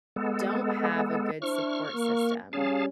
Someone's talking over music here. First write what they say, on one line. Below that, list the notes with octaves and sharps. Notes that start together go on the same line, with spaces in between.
don't have a good support system,
G#3 B3 A4
D4 E4 C5 C#6 F6
A#3
G3 C#4 G#4 F5 A5